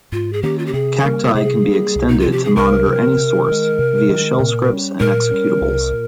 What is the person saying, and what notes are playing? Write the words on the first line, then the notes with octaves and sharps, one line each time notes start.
Cacti can be extended to monitor any source via shell scripts and executables.
G#2 F4
G#4
D#3 A#3 C#4 G4
F4
G4
C3 G#4
G3 A#3 A#4
C3 G#4
G3 A#3
C2
D#4
F4
C3 F3 C4
G4
G#4
C2 A#4
C3 F3 C4
C3
D#3 G#3
C3
D#3 G#3
A#2
G3 C#4
A#2 A#4
G3 C#4
C2
A#2